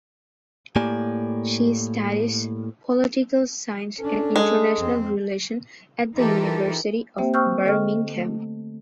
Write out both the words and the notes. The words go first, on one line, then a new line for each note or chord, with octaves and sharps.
She studies Political Science and International Relations at the University of Birmingham.
A2 A#3 G4 D5 G#5
C#4 D4 A4
G#3
F2 C4
E3 D#4 F4 G4 A4 A#4
A#3 C4 G4 C5 E5 G5
C5 G5 C#6 E6 F6 G6
D3 A4 D#5 G5 C#6 F6
A3